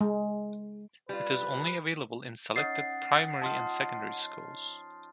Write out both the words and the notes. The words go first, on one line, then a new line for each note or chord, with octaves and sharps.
It is only available in selected primary and secondary schools.
G#3
G3 F4 B4
C#4 D#4 F#5 A6 C7
F3 D#4 A5 C6 F6